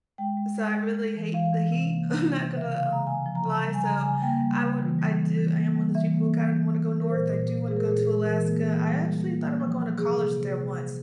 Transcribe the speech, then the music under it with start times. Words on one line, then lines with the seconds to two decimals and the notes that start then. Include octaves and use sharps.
so I really hate the heat. I'm not gonna, um, lie so, I would I do I am one of those people who kinda wanna go north, I do wanna go to Alaska. I actually thought about going to college there once
0.18 G#3 G5
0.37 G#3
0.57 G#3
0.77 G#3
0.95 G#3
1.15 E3
1.34 E3 F5
1.53 E3
1.72 C3
1.91 A#3
2.11 C3
2.30 C3
2.49 C#3
2.57 E5
2.63 F5
2.68 C#3
2.78 F5
2.88 C#3 A#5
3.07 C#3 G#5
3.26 F3
3.35 A#5
3.45 C#3
3.64 G3
3.74 G#5
3.84 C#3 A#5
4.03 C#3 G#5
4.22 A#3 G5
4.41 G3
4.60 C#3
4.80 E3
4.99 G3
5.19 E3
5.37 E3
5.56 A#3
5.75 G3
5.95 E3 E5
6.14 A#3
6.34 E3
6.53 E3
6.72 E3
6.91 E3
7.02 A#4
7.10 A#2 C5
7.30 A#2
7.48 A#2
7.68 G#3 G#4
7.77 A#4
7.85 A#2 G#4
7.97 G#4
8.07 G#3
8.25 E3 A#4
8.45 A#3
8.64 E3
8.83 G3
9.02 G3
9.21 A#3
9.41 A#3
9.60 F3
9.79 F3
9.98 C3 G#4
10.18 C3
10.37 C3
10.56 C3
10.76 C3